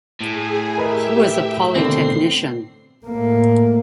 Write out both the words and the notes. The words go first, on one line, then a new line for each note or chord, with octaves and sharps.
He was a Polytechnician.
A2 G#4 G#5
G4 A#4 B4 D#5 E5
B2 D3 D#3 C4 C7
A2 A#3